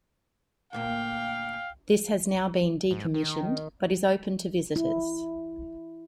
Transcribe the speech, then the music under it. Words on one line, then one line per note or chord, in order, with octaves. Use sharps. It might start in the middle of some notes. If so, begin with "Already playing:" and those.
This has now been decommissioned, but is open to visitors.
D2 A#2 A#3 F5 G5
G#2
D#3
E4